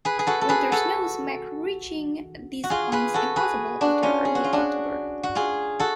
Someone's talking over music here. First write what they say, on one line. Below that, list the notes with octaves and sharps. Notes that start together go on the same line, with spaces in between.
Winter snows make reaching these points impossible after early October.
G#4 B4
G#4
F#4 A4
A4
G#4 B4
F#4 A4
F#4
F4 G#4
G#4 B4
F#4 A4
G#4 B4
D4 F#4
C#4 F4
G#4
F#4
F4
D4 F#4
F#4
F4 G#4
F#4 A4